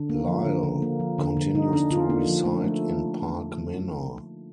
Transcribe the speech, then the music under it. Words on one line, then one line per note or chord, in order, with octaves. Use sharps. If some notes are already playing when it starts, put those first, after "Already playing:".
Lyle continues to reside in Park Manor.
Already playing: D3 D4
A#3
F3
D3
D3
A#3
F3
D3
D3
D3 D#4
D3 D4
D3 F4
A#3 D4
F3
A3
A3